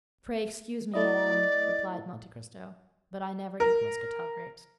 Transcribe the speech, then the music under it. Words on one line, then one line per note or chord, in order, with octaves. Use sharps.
"Pray excuse me, madame," replied Monte Cristo, "but I never eat Muscatel grapes."
A3 E4 D5 D#5
A#4